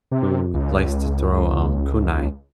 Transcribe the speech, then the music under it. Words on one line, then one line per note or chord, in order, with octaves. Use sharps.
who likes to throw, um, kunai,
C3
C#2